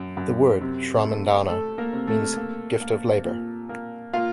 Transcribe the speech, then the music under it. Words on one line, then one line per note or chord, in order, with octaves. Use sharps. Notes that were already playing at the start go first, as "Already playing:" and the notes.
The word "shramadana" means "a gift of labor".
Already playing: F#2
F#2
C3
A3
A3 A4
A#3 A#4
C3
A3 A4
A#3
A#3
A#2
A#3
A#3 F4 F5